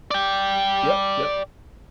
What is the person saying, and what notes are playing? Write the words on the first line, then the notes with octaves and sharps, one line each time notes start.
Yep, yep.
D5 G5